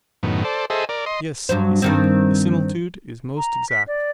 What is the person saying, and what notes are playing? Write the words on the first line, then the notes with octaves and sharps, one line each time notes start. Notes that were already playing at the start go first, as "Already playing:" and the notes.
Yes, he said, the similitude is most exact.
F#2 A2 D#3 B3
A4 C5 D5
G#4 A4 C5 D#5 E5
A#4 D5
D#5 C6
G2 F#3 C5
G2 D#3 C4
A#5
B6
D5